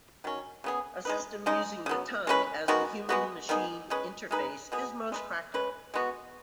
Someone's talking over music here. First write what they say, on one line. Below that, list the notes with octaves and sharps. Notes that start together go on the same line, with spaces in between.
A system using the tongue as the human-machine interface is most practical.
D#3 F#3 C#4
C#3 B3 G#4
G#3 D#4 B4
C#3 G#3 D#4
C#3 F#3 B3
G#3 C#4 G#4 B4
D#3 G#3 B3 F#4
G#3 B3 F#4
D#3 B3 D#4 G#4
G#3 C#4 G#4 B4
G#3 D#4 G#4 B4
B2 B3 G#4
G#3 D#4 B4
G#3 C#4 B4
G#3 B3 F#4